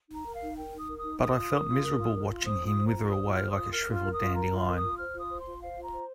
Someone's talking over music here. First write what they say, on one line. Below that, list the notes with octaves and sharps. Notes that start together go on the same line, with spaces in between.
But I felt miserable watching him wither away like a shriveled dandelion.
D#4
A#5
A#4
F5
D#4
A#4 G5
D#4 D#6
A#4
D#6
D#4
A#4 D#6
F4
A#4
F4
A#4
F4
A#4
F4
C5 D#6
F4
D#6
C5
A#5
F4
C5 D#6
F4
F6
C5
D#6
F4
A#4 F6
F4
F6
A#4
D#6
F4
A#4 A#5
F4
C6
A#4
D#6
F4
C5 F6
F4 D#6
C5
C6
F4
C5 F5
F4 A#5
C5